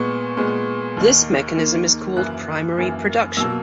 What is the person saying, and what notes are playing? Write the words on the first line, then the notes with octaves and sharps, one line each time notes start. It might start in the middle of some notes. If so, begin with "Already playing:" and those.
This mechanism is called primary production.
Already playing: A#2 G#3 B3 C#6
A#2 G#3 B3
D#2 D#3 A#3
D#2 D#3 A#3
F#2 E3 A#3 F#6
F#2 E3 A#3
B2 F#3 A#3 E6